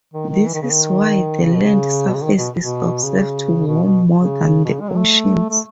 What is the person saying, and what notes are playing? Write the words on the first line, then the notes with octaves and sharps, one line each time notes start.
This is why the land surface is observed to warm more than the oceans.
D#3
D#3
E3
D#3
C#3
D#3
C#3
B2
C#3
B2
C#3
D#3
B2
B2
C#3
B2
B2
C#3
B2
C#3
G#3
F#3
A3
A3